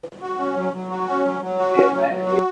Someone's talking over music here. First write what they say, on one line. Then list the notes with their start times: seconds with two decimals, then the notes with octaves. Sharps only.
Brisbane Water National Park is vulnerable to various environmental threats.
0.22 F#4
0.39 C#4
0.56 F#3
0.73 F#3
0.91 F#4
1.08 C#4
1.25 F#3
1.42 F#3
1.58 F#4
1.76 C#4
1.92 F#3
2.09 F#3
2.26 F#4